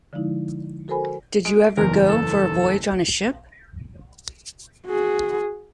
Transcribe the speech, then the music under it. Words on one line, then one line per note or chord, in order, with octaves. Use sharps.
Did you ever go for a voyage on a ship?
D3 F3 G#3 D#4 E4
F#4 A4 A#4 C5 G#5 B5
G#3 D7
F#1 E2 A#4
A4
F#4 G#4